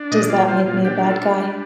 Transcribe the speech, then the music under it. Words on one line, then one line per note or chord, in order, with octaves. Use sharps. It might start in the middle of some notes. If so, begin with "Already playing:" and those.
Does that make me a bad guy?
Already playing: D4
A#2 D#5
F4 D5
F4 C5
A#2 F4
D4 G4
F4
A4
D4
G3